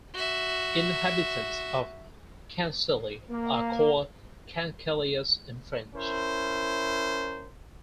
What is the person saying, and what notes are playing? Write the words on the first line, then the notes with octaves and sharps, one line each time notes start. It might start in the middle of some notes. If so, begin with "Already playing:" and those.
Inhabitants of Cancale are called "Cancalais" in French.
F#4 E5
A#3
C#4 E4 A#4 C5